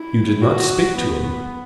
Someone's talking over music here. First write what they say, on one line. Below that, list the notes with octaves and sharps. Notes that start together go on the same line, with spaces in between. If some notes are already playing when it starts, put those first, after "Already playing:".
'You did not speak to him.'
Already playing: E4
F#4
B3